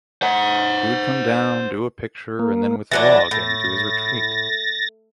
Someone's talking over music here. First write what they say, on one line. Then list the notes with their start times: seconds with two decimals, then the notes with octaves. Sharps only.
He would come down, do a picture, and then withdraw again to his retreat.
0.22 C5 F#5
2.39 A#3
2.92 E3 F#3 D4 A6 A#6
3.31 A2